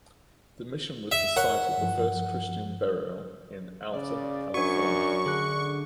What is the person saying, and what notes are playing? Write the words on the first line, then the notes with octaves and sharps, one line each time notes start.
The mission was the site of the first Christian burial in Alta California.
E5
A#4 C#5 F#5
G2 F3
C#3 D5
F#2 D4 F#4 C#6
D3 G#4 F#6